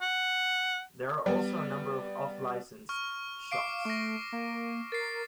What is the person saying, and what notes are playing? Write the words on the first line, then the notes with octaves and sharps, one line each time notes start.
There are also a number of off-licensed shops.
F#5
G3 B3
C#6 F6
F5 D6 C7 D7
A3 C#6 A#6
A#3
A#4 A6 C7